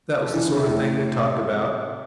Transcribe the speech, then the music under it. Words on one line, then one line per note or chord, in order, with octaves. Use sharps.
That was the sort of thing they talked about.
F3
E3
D3
C3
A2
C3